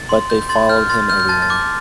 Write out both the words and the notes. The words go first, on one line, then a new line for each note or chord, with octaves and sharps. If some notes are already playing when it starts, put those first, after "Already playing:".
But they followed him everywhere.
Already playing: A6
C6
G6
C6 A6
F6 G6
C6 A6
F6 G6
G6
A5 A6
A6
D6 G6